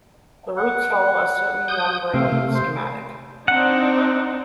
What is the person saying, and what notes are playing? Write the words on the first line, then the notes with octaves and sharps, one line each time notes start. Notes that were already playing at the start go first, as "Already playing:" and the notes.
The routes follow a certain numbering schematic.
F#5
D#6 G6
C3 A3 C4 F5
C3 A3
C5
C4 D4 D#4 F#5